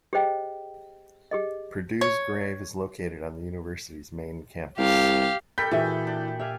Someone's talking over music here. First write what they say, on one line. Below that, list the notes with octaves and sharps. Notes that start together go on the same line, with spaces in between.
Purdue's grave is located on the university's main campus.
G4 G#4 C5 D#5 G5
G4 G#4 D#5
C#5
C2 G4 F5
G4 A4 A#4 B5 G6 B6
A#2 E3 F#4 G#4 E5 B5
D4 G6
G4 E5 F5 G#5